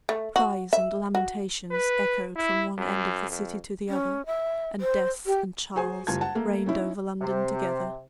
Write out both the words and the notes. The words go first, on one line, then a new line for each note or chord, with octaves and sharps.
Cries and lamentations echoed from one end of the city to the other, and Death and Charles reigned over London together.
A3
F#4
E5
F#4
B4
E4
F#2
F2
C#4
E5
C5
G4
F#4 G#4 C5 G#5
F#1 G3 F4 A5 G#6
F#5 A5
A3 A#3
C#4 D#4 E4
C3